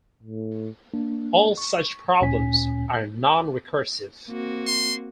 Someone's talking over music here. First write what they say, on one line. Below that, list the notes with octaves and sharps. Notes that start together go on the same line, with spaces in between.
All such problems are nonrecursive.
A2
A#3 D4
C#6
D2 A#2 C#4 G#5 B6
A#3 C4 F#4
C6